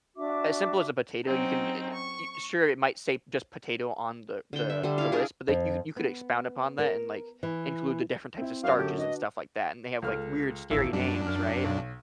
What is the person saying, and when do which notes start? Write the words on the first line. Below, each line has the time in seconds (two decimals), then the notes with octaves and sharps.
As simple as a potato, you can it y sure, it might say just potato on the the the list, but they you you could expound upon that and, like, include the different types of starches and stuff like that, and they have, like, weird scary names, right?
0.16 D4 F#4 E5 D6
1.25 F#3 C4 C#4 D#4
1.93 C#6
4.53 D3 G5
4.70 E5
4.84 D3 G3
4.98 E4 F5
5.12 D4 G#4 A#4
5.48 F2
5.96 B3
6.79 A#4
7.43 E3
8.37 C4 E4
8.63 F#2 F5
8.77 D3 G4 A4
8.98 D4 F#4 B4 D#5
10.02 C#2 A4 F6
10.70 D#1 A1 E4 E6
10.93 F#2 G3 D4
11.26 F6
11.64 B1